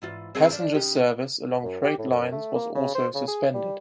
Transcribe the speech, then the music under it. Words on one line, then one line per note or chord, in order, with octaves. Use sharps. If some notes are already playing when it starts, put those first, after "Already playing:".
Passenger service along freight lines was also suspended.
G#2 E3 F4
C4 G#4 A#4
F3 D4
C#3 D#4 G4
F#2
G4
A2
F#2
A3
A#3
C#3
C5
C#3
G#4
G3